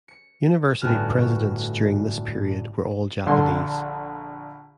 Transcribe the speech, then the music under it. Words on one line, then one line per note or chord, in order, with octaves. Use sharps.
University presidents during this period were all Japanese.
C#7
G1 A2 A3 B3 F#4 F6
A#1 D3 A4 C6